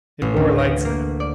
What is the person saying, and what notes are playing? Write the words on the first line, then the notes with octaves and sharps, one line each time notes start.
It bore lights now.
A1
D2
A#6
A#3
D5